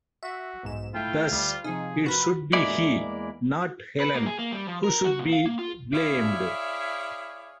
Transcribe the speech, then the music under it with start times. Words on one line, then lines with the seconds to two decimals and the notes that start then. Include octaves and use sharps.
Thus, it should be he, not Helen, who should be blamed.
0.23 F#4 E5
0.63 B1 G#2 E7
0.94 A3 E4 F4 G5
1.31 D2 G3
1.64 C3 F3 D#4 G#4
2.06 F#4 A#4 B4 B5
2.53 E2 G#3 A#3 E4 D5
4.00 B4
4.14 A#3
4.26 G#4
4.39 A#3
4.52 G3
4.67 F3
4.84 A#4
5.04 F#4
5.19 A#2
5.32 F5
5.46 A#3
5.59 F4
5.93 E4 G#4 C#5 D5 E5 F5